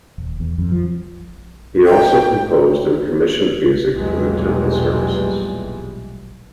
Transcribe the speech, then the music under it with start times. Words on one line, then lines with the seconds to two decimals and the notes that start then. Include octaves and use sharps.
He also composed and commissioned music for the Temple services.
0.18 D#1
0.40 E2
0.58 F2
0.72 F3
1.85 G5
3.93 B1 E2 A#2 E3 G3 G#3